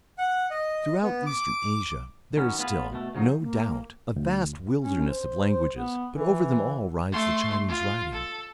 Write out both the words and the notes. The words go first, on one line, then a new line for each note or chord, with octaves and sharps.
Throughout Eastern Asia there is still, no doubt, a vast wilderness of languages, but over them all rides the Chinese writing.
F#5
D#5
B3
D6
D#3 F#3 B3 C#4
B3 F4 G#4 B4
B2 A3
C#3 F3 F#3 D#4
A#3
D2
C#4
C5
C5
B3
E3
A3 C6
F4
A4